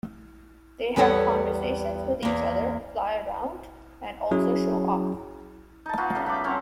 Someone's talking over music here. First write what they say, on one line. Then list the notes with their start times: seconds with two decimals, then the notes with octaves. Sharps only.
They have conversations with each other, fly around and also show off.
0.96 E2 G3 B3 A4 C#5 F#5
2.23 E2 A#3
4.31 F#3 C#4 E4 G#4
5.86 D#4 A5
5.97 B3 D#4 F4 F#4
6.15 C#3 G3 A3
6.26 B5 D6
6.44 F#3 C4 C#4 A#5